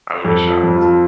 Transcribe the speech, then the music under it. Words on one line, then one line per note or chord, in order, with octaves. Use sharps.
I would be shocked.
F2 A4
F3
F2
F4
F3